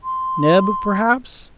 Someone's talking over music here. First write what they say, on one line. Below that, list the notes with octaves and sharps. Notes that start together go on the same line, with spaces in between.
"Neb, perhaps?"
C6